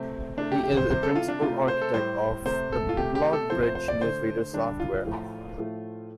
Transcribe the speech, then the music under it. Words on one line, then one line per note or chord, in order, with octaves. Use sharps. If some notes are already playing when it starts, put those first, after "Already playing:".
He is a principal architect of the BlogBridge Newsreader software.
Already playing: C3 A3 C4
C3 A3 D4
G4
G4
C5
C3 G3 C5
A4
F4
D4
C3 A3 F4
C5
A4
A2 G3 C5
C3 A3 C5
A4
F4
C3 A3 G4
G4
A4
C3 F3 A3 C5
C5
C5
D5
D3 A3 C5
D3 G3 D4
F4
A2 F3 A3
A2 F3 A3